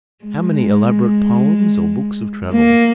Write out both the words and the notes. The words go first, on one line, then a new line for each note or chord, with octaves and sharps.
How many elaborate poems or books of travel?
G#3
A#3